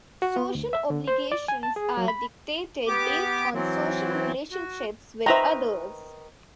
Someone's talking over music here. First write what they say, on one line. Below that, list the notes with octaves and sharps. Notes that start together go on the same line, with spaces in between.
Social obligations are dictated based on social relationships with others.
F#4
B3
D2
E5
D3
C5
D5
G#5
A5
G#4
F#3
B5
B3 G4 D6
E3 F#3 C4
F#4
D#3 B4 C5 E5 A#5